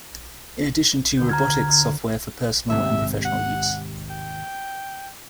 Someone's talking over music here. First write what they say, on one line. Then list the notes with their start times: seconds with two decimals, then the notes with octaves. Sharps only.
In addition to robotics software for personal and professional use.
1.17 D2 D3 G6
1.29 A#5 F6 G#6
2.70 D#2 G#2 C3 E5
3.25 F#5
4.10 G5